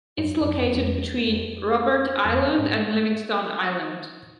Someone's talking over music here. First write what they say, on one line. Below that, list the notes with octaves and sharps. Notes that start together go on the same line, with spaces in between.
It’s located between Robert Island and Livingston Island.
G2
F#2
F#2
F2
F2
E2
F2
F2
G#2